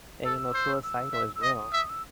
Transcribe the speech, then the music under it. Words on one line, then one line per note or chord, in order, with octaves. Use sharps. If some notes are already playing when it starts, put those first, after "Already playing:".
and you know suicidal is real.
A4 E6
C5
E6
E5
E6
D#5 D#6
E5
E6